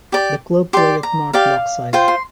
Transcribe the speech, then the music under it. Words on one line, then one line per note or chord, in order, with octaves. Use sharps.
The club play at North Lochside.
G4 D5
G4 D5 C6
A#5
G4 D5 F5
F4 C5 G5
C6